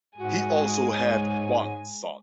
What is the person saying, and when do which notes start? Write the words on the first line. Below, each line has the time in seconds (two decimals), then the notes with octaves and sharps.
He also had one son.
0.17 G#2 G#3 F#4 G#5
0.89 C#5